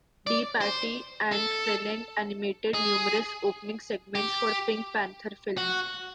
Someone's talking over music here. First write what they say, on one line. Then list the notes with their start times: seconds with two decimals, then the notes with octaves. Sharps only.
DePatie and Freleng animated numerous opening segments for Pink Panther films.
0.27 D5
0.61 C5
1.32 A4
2.74 G#4
4.15 G4
5.58 F#4